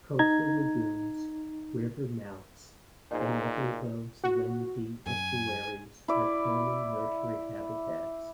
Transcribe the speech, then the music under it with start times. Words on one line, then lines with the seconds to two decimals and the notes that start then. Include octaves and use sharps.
Coastal lagoons, river mouths, and other low-salinity estuaries are common nursery habitats.
0.19 D#4 A#5 G#6
3.11 A#2 D#4 G#4 C5
4.24 F#4
5.06 F#2 G#5
6.08 E4 D5